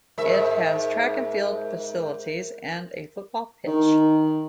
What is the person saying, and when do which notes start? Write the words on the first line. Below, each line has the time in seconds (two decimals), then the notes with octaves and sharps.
It has track and field facilities and a football pitch.
0.18 G#2 A#4 E5
3.67 D#3